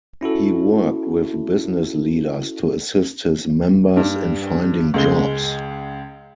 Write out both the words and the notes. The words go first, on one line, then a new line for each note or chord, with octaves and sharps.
He worked with business leaders to assist his members in finding jobs.
C#4 E4 F#4 A4
G2
C#2 G#3 G7